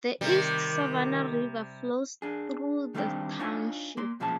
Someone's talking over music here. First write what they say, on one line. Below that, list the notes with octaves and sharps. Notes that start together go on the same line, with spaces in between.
The East Savanna River flows through the township.
C3 D#3 G3
D4 G#4
D#3 G3 A3 C4 D4 G4
D4 D#4 F4 C#5 D#5 G#5
A#3 C6
B1 A#2 F3 G#3 C#4 A5